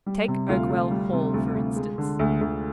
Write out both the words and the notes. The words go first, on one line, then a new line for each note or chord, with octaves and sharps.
Take Oakwell Hall, for instance.
G3
C3
D2 F4 F5
D2
G3
C3
D2
D2
G#3
D3
D2
D2